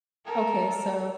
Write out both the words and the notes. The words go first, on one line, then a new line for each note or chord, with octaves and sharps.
okay, so
A4 A#4